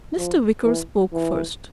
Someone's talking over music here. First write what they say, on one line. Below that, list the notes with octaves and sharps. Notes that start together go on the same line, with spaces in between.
Mr. Wicker spoke first.
F3
E3
E3